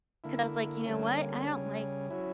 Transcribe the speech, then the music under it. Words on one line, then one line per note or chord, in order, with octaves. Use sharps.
'cause I was like, "You know what, I don't like
D3 A#3 E4
D3 G3 A#3 C#4
C#3 G3 C#4
F#3 C#4 E4